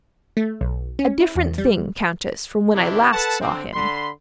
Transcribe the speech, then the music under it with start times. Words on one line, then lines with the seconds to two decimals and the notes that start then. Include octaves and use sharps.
A different thing, Countess, from when I last saw him.
0.37 A3
0.61 B1
0.99 C#4
1.20 E4
1.36 E2
1.58 G3
2.73 C3 D#3 D4 E4 G4
3.12 A4 B4 F#5 A5
3.40 D3 C4
3.73 D3 B5 C6